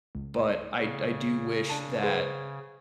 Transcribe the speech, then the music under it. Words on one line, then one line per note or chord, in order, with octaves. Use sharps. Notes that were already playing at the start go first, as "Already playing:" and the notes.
but I d I do wish that
C#2
C#3
D4 A5
G#4 B4 C5